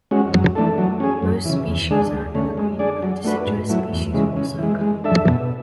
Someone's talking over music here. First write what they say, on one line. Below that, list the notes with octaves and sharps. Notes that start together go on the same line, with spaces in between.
Most species are evergreen, but deciduous species also occur.
G#3 C#4 F#4
F#2
E3 A3 D4 A4
F#3
C#4 G#4
F#2
C#3 E3
E2
D3 G#3 D4 G#4
D2
D3 A3 C#4
G#3
D4 G#4 D5
F#3
A3 D4 F#4 B4
G#2
F#3 A3 E4
E2
C#3 E3 G#3
C#3
E3 G#3
G#3
D4 A4 E5
B2